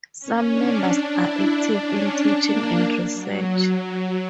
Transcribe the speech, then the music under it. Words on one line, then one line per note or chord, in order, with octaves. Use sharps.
Some members are active in teaching and research.
C#4
D4
D4
E4
D4
C#4
D4
A#3
F#3